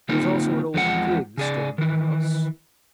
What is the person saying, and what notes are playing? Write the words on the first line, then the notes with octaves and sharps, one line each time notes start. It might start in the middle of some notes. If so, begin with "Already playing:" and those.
There is also an old gig stored in the house.
D3 A#3 C4 D#4 F4
E2 F3 G#3 C4 D#4 F#5
C#3 G#4 D5
D#3 E3